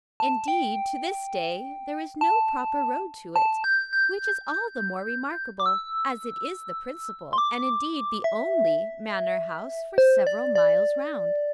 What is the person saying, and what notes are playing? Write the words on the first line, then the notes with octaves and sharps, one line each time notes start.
Indeed to this day there is no proper road to it, which is all the more remarkable as it is the principal, and indeed the only, manor house for several miles round.
A5
G5
A5
A5
G6
G6
D6
E6
C6
D6
E5
C5
D5
D5